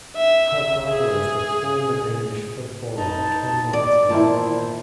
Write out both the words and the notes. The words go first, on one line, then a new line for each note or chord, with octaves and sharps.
Her brother is the former Danish footballer Ken Martin.
E5
G#4
D#4 B4 A5
D5
E2 A#2 D#3 E4 C5 A5